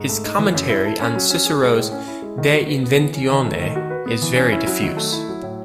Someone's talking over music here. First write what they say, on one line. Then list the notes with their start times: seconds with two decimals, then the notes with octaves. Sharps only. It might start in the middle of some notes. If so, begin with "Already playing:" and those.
His commentary on Cicero's "De Inventione" is very diffuse.
Already playing: G#2
0.09 A3
0.24 D#4
0.39 E3
0.55 F#2
0.69 E4
0.86 A4
1.00 C#4
1.15 F#3
1.30 C#4
1.46 G#4
1.62 G#3
1.77 A2
1.92 C#4
2.08 E4
2.22 G#3
2.38 D#3
2.53 F#4
2.68 B4
2.83 B3
2.99 E3
3.15 C#4
3.30 D#3
3.45 A3
3.61 D#3
3.75 F#4
3.90 B4
4.06 B3
4.22 E3
4.36 C#4
4.52 E4
4.67 F#3
4.82 D#3
4.97 A3
5.12 E4
5.29 F#3
5.43 A2